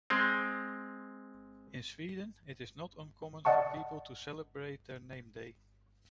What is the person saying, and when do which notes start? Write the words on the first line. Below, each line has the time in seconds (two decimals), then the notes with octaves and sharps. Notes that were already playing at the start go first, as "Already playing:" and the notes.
In Sweden, it is not uncommon for people to celebrate their name day.
0.10 G#3 C4
3.45 D5 D#5 F#5 A5 C#6